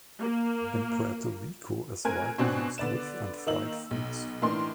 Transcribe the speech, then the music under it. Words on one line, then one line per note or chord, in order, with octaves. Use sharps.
In Puerto Rico, is widely used with and fried foods.
A#3
A3 C4 A#4 G#5 F#6 G#6
B2 C4 D4 F#4 G#5 F#6
D3 B3 D5 E7
D#3 A#3 D#4 E6 F#7
B1
A2 E3 D4 D#4 A#4 C6